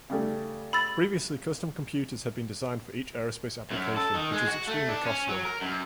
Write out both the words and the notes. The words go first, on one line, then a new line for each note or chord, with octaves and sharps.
Previously custom computers had been designed for each aerospace application, which was extremely costly.
C#3 G3 A3
B5 E6 A6
F#2
A4
D#3
G#3
F#4
A3
D4
C#4
F#3
A#4
F#2